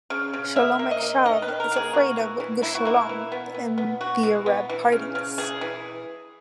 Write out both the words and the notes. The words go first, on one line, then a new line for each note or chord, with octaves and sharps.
"Shalom Achshav" is afraid of "Gush Shalom" and the Arab parties.
C#3
C#3
A#3 E5
A#3
D#5
A#3
D#3 D#5
B4
D#3
A#4
A#3 G#4
A#3 F#4
E3
E3
A#3 E4
F#4
A#3 E4
E3
B3
B3
B3
B3 F#4
E3
B3
E3
C#3
C#3
E3 G#4
E3